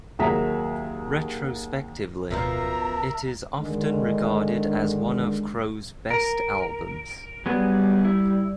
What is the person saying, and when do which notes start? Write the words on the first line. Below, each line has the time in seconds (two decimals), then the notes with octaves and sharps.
Retrospectively, it is often regarded as one of Crow's best albums.
0.19 D#2 F#3 G#4 E5 A#5 B6
2.31 D1 F#2 B2 F3 A#4 E5 A#5
3.59 D3 D#3 G#3
6.11 A#4
7.46 F#3 G3 B3 G#4
8.04 E4